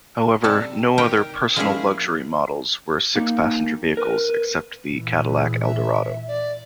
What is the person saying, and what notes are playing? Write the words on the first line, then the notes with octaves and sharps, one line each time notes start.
However, no other "personal luxury" models were six-passenger vehicles, except the Cadillac Eldorado.
C3 G3 A4 A5
D#4 G4 A#4 G5
F3 G#3 A#3 C#4 E4 G#4
A#3 D#4
A#4 B4
A#2 E3
G#4
E5
D5